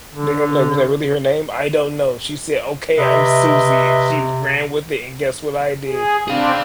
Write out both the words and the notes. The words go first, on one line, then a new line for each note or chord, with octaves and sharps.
They gonna be like, "Was that really her name?" "I don't know. She said, 'Okay, I'm Suzie', and she ran with it, and guess what I did?"
D3
C3 B4 D#5 E5
G#4
C4 D4 G#4 F5